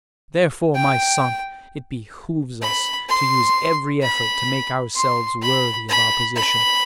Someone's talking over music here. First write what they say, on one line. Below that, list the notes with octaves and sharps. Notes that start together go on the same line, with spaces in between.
Therefore, my son, it behooves us to use every effort to make ourselves worthy of our position.
G5
B5
C6
B5
C6
B5
B5
B5